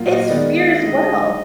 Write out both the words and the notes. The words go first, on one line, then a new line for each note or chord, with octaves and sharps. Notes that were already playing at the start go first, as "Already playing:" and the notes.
It's fear as well.
Already playing: A#2 F#3 A#3 F4
D#5
D#3 G#3 B3 D#4 D5
D#5
D3 G#3 D#4